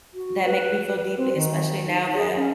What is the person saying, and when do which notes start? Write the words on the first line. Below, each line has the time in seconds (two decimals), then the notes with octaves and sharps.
that make me feel deeply, especially now that,
0.14 F#4
0.45 B4
1.17 C4
1.35 D#3
1.86 D#4
2.14 G#4
2.36 C#4